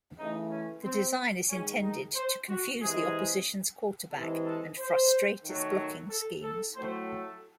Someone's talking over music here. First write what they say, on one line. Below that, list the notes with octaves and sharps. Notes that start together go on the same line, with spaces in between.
The design is intended to confuse the opposition's quarterback and frustrate its blocking schemes.
C#3 E3 A3 D#4
C#4
C4
D#3 G#3 C#4
D#4
C5
F#4
C3 E3 G#3 G#4
C3 E3 G#3 A4
A4
C5
D#3 F#3 A3
A4
A4
A2 F#3 A3 C5
A4